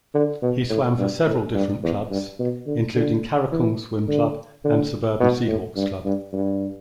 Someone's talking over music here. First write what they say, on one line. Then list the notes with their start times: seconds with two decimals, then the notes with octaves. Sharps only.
He swam for several different clubs, including Karakung Swim Club and Suburban Seahawks Club.
0.14 D3
0.42 B2
0.70 A2
0.98 G2
1.26 A2
1.54 G2
1.83 E2
2.10 G2
2.40 B2
2.67 D3
2.95 D3
3.52 E3
4.08 D3
4.64 D3
5.20 B2
5.48 A2
5.76 G2
6.05 G2
6.33 G2